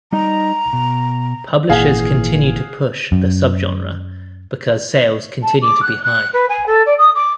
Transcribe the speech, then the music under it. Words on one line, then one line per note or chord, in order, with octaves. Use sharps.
Publishers continue to push the subgenre because sales continue to be high.
G3 D#4 D#5 A#5
B2
G#1 A#2 E3 G#4 F5 F#5
F#2
A5
D6
F#6
F#6
B4
G#5
A4
D5
D#6
D6